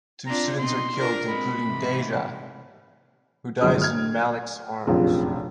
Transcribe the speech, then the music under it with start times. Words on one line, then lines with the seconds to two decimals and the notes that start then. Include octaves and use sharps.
Two students are killed, including Deja, who dies in Malik's arms.
0.27 C4 D4 F4 A#5
0.58 B2 C4 D#4 C6
0.96 D4 F4 A#4
1.29 G#3 C4 B5
1.66 G#2 C3 E3
3.61 G1 F#3 G#3 D#6
3.81 F6 G#6
4.87 F1 A#1 F#2 C3 F4 G#4